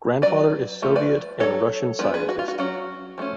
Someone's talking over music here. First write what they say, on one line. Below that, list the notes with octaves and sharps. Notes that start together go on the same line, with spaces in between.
Grandfather is Soviet and Russian scientist.
F#3 C#4 B4 D5
F3 A3
B4 D5
F#3 C#4 A4 C#5
F3 G#3 B3 D4 B4
G#4 B4
F#4
F4
F#4
F#3 C#4 F#4
F3 A3 C#4